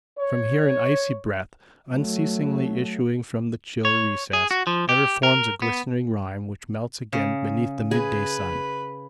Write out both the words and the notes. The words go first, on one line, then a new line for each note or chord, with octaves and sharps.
From here an icy breath, unceasingly issuing from the chill recess, ever forms a glistening rime which melts again beneath the midday sun.
C#5
F#3 A3
C#5
G#4
F#4
F3
G4
A#4
B3
C#3
G#4 B4